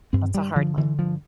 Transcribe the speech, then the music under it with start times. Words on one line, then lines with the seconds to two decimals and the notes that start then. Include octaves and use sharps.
That's a hard one.
0.13 G2 C4
0.34 G2 G3
0.56 D3 F3
0.77 D3 E3
0.99 G2 F3